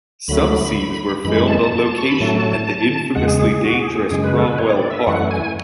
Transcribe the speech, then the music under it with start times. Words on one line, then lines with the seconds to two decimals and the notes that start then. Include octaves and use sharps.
Some scenes were filmed on location at the infamously dangerous Cromwell Park.
0.28 D2 D3 F#3 A3 B5
1.24 F#2 E3 G#3 B5
1.48 A5
1.98 C#6
2.09 B5
2.20 A2 F#3 A3 A5
3.15 E2 C#3 G#3 F#5
3.28 G#4
3.39 G#4
3.51 G#4
3.64 F#4
3.80 G#4
3.95 G#4
4.11 F#2 C#3 G#3 G#4
4.24 B4
4.35 A4
4.48 B4
4.58 C#5
4.76 D5
4.90 E5
5.07 F#2 E3 A3 F#5
5.31 G#5